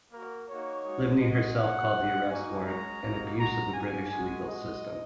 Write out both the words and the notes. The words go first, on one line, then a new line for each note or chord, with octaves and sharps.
Livni herself called the arrest warrant "an abuse of the British legal system".
A#3 F#4 A#4
A#3 D#4 F#4 C#5
G#3 D#4 F#4
G#3 F#4 D#5
A#3 F#4 F#5
G#3 F#4
A#3 D#4 F#4 G#5
G#3 C#4 F#4 A#5
A#3 D#4 F#4
G#3 F#4 A#5
A#3 F#4 G#5
G#3 F#4 G#5
G#3 F#4 D#5